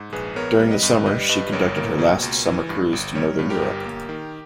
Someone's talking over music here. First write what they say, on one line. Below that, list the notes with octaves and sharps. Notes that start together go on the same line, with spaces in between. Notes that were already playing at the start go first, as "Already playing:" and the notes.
During the summer, she conducted her last summer cruise to Northern Europe.
Already playing: G#2
A#1 G#4 B4
B3 A#4 C#5
G3
B4 D#5
G2
G3 B4 D#5
G2 B4 D#5
G1 A#4 C#5
A#3
B2
C#2
E3
G2
G1
G3 A#4 C#5
G2
G4 A#4
G1
A#3
D#3